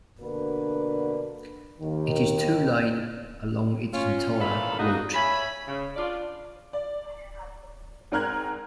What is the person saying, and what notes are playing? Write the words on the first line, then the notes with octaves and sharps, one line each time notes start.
It is two-lane along its entire route.
B2 D3 A#3 D4 B4
D#2 D#3
C#4 F4
A#2 C#3 E3 A4 F5 B5
A#3 B3 D4 D#4 F#4 G#4
C#5 E5 G#5 B5
C#3
D4 F4 D5
D5
G#2 C4 A#4 F6 F#6 G#6